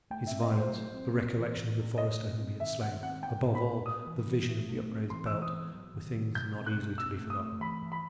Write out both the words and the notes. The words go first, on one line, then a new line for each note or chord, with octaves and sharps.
His violence, the recollection of the forester whom he had slain--above all, the vision of the upraised belt, were things not easily to be forgotten.
A3 G5
C4 E5
D#5
A3 C5
F#3
C4
C4
E3
A2
A2
A3 D#5
B2
C4
D#3 E5
D#3 F#5
C4 F#5
B3 G5
A2
B5
A2
B3 D#6
E3
E3
A3
A3
C4
E3 C6
E3 E6
D#6
B3
F#3
D#3
F#3
B2 G6
C4
F#6
B2
C4 E6
A3
D#6
A3
E3 B5
E3
B5